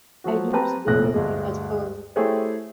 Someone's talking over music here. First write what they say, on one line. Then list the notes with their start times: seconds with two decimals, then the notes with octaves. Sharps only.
I do not believe him at all!
0.24 F3 F#3 F#4
0.53 C4 G4 B4 A5 A#5
0.87 F1 A#1 A2 B3 F#6 A#6
1.14 D2 G2 G#3
2.16 A3 E4 G4 G#4 C5 C#5